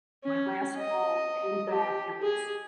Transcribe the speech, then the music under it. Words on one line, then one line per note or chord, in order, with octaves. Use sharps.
my last bowl came back, it was
C#4
D#5
G4
G#4